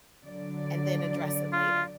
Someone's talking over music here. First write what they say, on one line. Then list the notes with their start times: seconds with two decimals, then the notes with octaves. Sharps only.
and then address it later.
0.24 D3 F#3 D5
1.53 F4